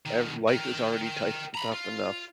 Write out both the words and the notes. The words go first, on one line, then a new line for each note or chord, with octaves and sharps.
Ev life is already tife tough enough.
B2 D#3
A#4 G5
A#5 B5
F4